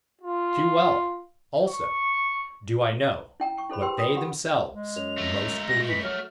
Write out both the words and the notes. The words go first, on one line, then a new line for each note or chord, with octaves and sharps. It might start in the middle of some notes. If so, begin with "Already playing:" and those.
Too well, also, do I know what they themselves most believe in.
F4
C#6
E4 G5 A#5
G5 C#6
E4 A4 C5 B5
G4 G#4 B4 G5 C6 E6
F4 G5 D#6
E4 G4 F#5 B5
G#3
F#2 F7
A3 A#4
A#6
E3 B6
F#3 F6